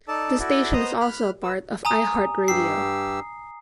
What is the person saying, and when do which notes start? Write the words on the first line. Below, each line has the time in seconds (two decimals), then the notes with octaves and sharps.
The station is also a part of iHeartRadio.
0.08 D#4 A4 D5 A5
0.39 E4 F#4 A4 D5
0.73 B3 C5 D#5 A#5 D#6
1.00 B5 F6 F#6
1.43 B4 E6
1.85 G#5 A#5 D#6
2.48 G2 G4 E6 C7